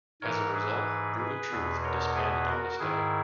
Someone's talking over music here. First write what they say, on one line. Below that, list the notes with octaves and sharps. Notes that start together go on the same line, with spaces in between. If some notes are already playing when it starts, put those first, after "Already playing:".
As a result, Brutal Truth disbanded on this day.
G#2 E3 A#4 C#5
G#4 B4
G#4 B4
E2 B2
A#4 C#5
G#4 B4
F#4 A#4
G#2 D#3 E4 G#4